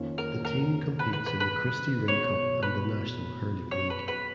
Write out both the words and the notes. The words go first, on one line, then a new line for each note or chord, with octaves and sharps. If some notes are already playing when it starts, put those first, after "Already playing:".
The team competes in the Christy Ring Cup and the National Hurling League.
Already playing: F2 D#3 A#3 C#4 F4
A#4
A#4
B4
B4
B4
B4
B1 B2 G#3 B3 C#5
B4
C#5
B4
B4